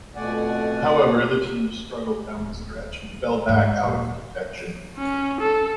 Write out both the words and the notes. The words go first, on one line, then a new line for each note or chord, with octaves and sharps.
However, the team struggled down the stretch and fell back out of contention.
F2 B2 A3 D5 F#5 G#5
D1
F#2
G#2
D#1
C#4
A4